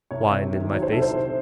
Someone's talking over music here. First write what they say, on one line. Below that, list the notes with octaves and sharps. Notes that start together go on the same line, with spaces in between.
Wine in my face.
C2 C#5
C3
D#3
F#3 C#5
C5
C2 A4
C5
C3